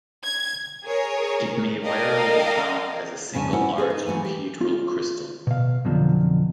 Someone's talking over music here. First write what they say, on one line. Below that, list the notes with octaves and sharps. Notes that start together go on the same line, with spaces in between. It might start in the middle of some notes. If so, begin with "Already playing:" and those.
It may rarely be found as a single large euhedral crystal.
G#6
G#4 A#4 C#5
A4 A#4 D5 D#5 F5 G5
F2 C#3 C#4 F#5 G#5 A5
C#4 E4 C5 F#5
G#4 A4 B4 C5 F5
D#4
E3 F#3 A3 G#5
G4
F4
B2 F5
F2 B2 D3 F3 F#3